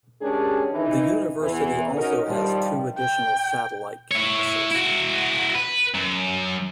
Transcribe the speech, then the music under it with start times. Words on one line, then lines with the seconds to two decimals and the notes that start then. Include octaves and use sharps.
The university also has two additional satellite campuses.
0.21 G#3 C#4 D4 G4 G#4 A#4
0.72 D#3 E3 D#4
1.40 E2 E3
1.96 C#4 D#4 F#4 A#4
2.27 G2 D#3 F3 G3
2.98 G5
4.11 E4 C#5
4.71 E4 F#4
5.55 B4
5.94 F#2